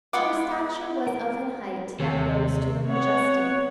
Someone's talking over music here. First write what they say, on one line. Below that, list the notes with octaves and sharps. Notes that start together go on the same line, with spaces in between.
Her stature was of an height that rose to the majestic.
G#3 B3 F4 F#5 D6
A#4
D#2 C3 G#4 C#5
B3 C4 C#5 F#5